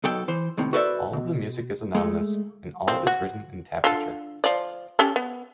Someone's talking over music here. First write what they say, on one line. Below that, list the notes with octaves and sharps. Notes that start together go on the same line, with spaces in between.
All of the music is anonymous, and all is written in tablature.
B1 B2 F#3 A4 G5
E3 C5
D#2 A2 C3
F#4 A4 B4 C5 D5 E5
B2
G#3 A3
F3 C4
F#4
D3 F4 A4
F3 D5
C#4 G4 A4
B3